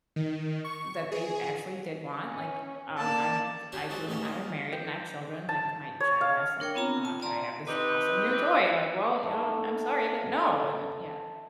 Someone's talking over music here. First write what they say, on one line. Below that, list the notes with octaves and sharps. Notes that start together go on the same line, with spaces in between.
that they actually did want. Like, um, I I do I am married, and I have children, like, if my child asks, like, uh, "Can I have this awesome new toy?" Like, "Well, you know, I'm sorry, but no," and it yeah.
D#3
C#6
G#4
C#4
A#3 D5 A5
C#4 D4 F#4 G4 D5
G#3 C4 F#4 A4
A1 D#3 G#3 A3 C#4 D5
D#3 G#3 A#3
G5
A5
C#5
F5
D4 A#4 C#5 G5
B3 C4 F4 A#5
A5
D5 A#5 C6
C4 D#4 G4 B4
A3 D#4